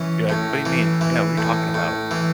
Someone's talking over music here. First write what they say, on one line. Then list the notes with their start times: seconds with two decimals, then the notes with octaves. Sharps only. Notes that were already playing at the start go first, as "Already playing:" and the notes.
You're like, "What do you mean? Yeah, what are you talking about?"
Already playing: E3 C#4
0.29 A2
0.66 E3
1.01 E3
1.38 A2
1.74 A2
2.11 E3